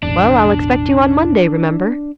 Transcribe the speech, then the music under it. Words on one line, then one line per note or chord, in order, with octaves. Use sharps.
"Well, I'll expect you on Monday, remember."
E1 A1 D4